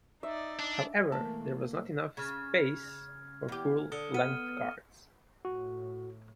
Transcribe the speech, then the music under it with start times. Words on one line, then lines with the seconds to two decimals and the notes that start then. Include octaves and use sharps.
However, there was not enough space for full-length cards.
0.23 D#4 D5 E5
0.59 D4
1.12 B2 E3 A3 A#3 A#4 A5
2.17 C#3 F6 G#6
3.49 E2 G4
3.92 D3 D#6 C#7 G7
4.14 B3 F6 D#7
5.45 A2 F#4